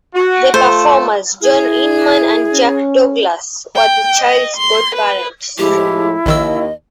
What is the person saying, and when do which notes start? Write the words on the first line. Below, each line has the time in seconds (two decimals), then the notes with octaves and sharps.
The performers John Inman and Jack Douglas were the child's godparents.
0.14 F#4
0.54 A3 F4 A4 C5
1.42 E4 G#4
2.53 C#4
3.75 G5
4.20 D#5
4.57 C6
4.95 B4
5.58 A2 F3 G#3 E4 G4
6.26 A#1 D#2 D#3 D#5 E6